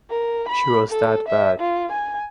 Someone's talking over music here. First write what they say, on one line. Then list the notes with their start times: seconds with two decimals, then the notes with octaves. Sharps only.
She was that bad.
0.10 A#4
0.48 B5
0.91 A4
1.28 E5
1.60 F4
1.92 G#5